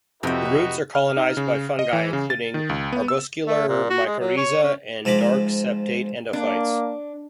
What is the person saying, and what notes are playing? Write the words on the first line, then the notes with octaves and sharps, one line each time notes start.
The roots are colonised by fungi including arbuscular mycorrhiza and dark septate endophytes.
F2 C3 D#4 F#4 B4 G5
F6
D#4
C#3
D#5
E3
C#3
A6
D#3
C#2
B3
E6
A3
A#2
F#4
G#3
F#3
C#5
C#4
G#2 F3 A#5 B5 D6
A#3 D4